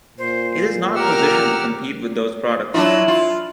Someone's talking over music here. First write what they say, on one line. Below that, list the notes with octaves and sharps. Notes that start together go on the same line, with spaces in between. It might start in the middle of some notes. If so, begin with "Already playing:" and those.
It is not positioned to compete with those products.
A#2 C5
G4 A#4 F#5 D6 E6 F6
F#3 D4 E4 F4
F4